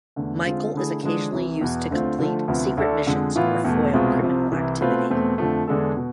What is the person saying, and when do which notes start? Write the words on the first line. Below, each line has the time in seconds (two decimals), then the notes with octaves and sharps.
Michael is occasionally used to complete secret missions or foil criminal activity.
0.16 E2 D3 A3
0.45 D3 G#3 C4 F4
0.74 D3 A3 E4 G#4
1.03 D3 F3 G#3 D4 G#4
1.32 C2 C3 E3
1.61 E2 B2 B3
1.90 D2 D3 A3 C4 F4
2.19 D3 F3 A3
2.48 D2 C3 F3 B3
2.77 D2 D3 A3 D4 A4
3.06 F2 D3 G#3
3.36 A2 E3 B3 F4
3.64 E2 B2 A3
3.93 C2 B2 G#3 C4 F4
4.22 C2 C3 F3
4.52 C2 C3 E3
4.81 B2 A3 C4 F4 B4
5.10 E2 B2 A3 C4
5.38 F2 D3 F3 A3
5.68 E2 D3 G#3 D4 A4
5.97 B2